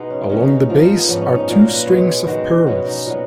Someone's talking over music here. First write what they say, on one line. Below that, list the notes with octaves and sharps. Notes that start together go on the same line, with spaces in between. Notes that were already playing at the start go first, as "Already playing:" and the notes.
Along the base are two strings of pearls.
Already playing: B2 G#3 B3 D#4
C#4
C#3 F#3 B3 C#4
D#4
D#4
G#2 F3 A#3 F4
D#4
B3
G#2 F3 B3 C#4
C#4
D#4
A#2 F#3 A#3 F4
A#4
B4
B2 G#3 B3 C#5
D#3 G#3 B3 F#4
B2 F#3 B3 C#4
D#4
A#2 F#3 B3